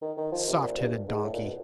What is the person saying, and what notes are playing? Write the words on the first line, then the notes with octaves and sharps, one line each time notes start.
Soft-headed donkey!
D#3
D#3
F3
C3
A#2
G2
G#2
A2
A#2
B2